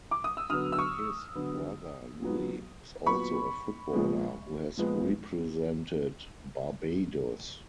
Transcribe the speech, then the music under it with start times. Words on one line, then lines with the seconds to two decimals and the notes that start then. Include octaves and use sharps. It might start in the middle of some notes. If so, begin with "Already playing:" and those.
His brother Louie is also a footballer, who has represented Barbados.
0.11 D6
0.24 D#6
0.37 E6
0.50 D3 F#3 B3 D#6 F6
0.72 E6
0.78 C#6 D#6
1.35 D3 F#3 B3
2.21 A#2 F#3 B3
3.06 A#2 F#3 B3 B5 C#6
3.92 A#2 F3 G#3 B3
4.77 A#2 F3 G#3 B3